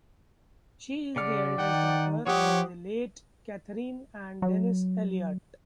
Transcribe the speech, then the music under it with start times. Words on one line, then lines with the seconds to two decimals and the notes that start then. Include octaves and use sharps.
She is the eldest daughter of the late Catherine and Denis Elliott.
1.16 C#3 D5 F#5 F6
1.58 D#3 F#5 G5
2.27 F3 G4 C#5 F#5 D#6
4.42 F#3